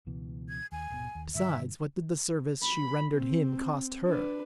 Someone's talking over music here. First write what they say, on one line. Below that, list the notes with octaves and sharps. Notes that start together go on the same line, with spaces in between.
Besides, what did the service she rendered him cost her?
C#2 B2 E3
G#6
D#2 G#5
D#1 G#1 B2
D#2
G2 D3 D#3 E5
B5
C4
D4 B4